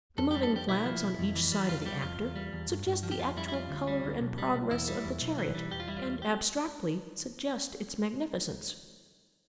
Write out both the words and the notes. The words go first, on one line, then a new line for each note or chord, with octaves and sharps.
The moving flags on each side of the actor suggest the actual color and progress of the chariot, and abstractly suggest its magnificence.
F2 A4
G4
G3
A4
F2 G4
B1 E4
F3
B1
F2
E3
G3
F2 F4
F4
G3 G4
F2 F4
E2
G3
E2
G2
G2
F3
G4
F2 F4
G3 E4
E4
F2 F4
D2
G3
D2
B1
G3
B1
E2 E4
G3
E2
B1
E3
G3
E2 G4
F4
G3 E4
F4
E2
G4